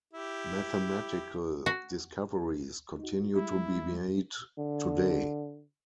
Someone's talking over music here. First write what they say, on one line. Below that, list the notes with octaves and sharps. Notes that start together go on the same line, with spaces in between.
Mathematical discoveries continue to be made today.
E4 G4
F#4
D#4 F#4
G3 G#3 E4
D3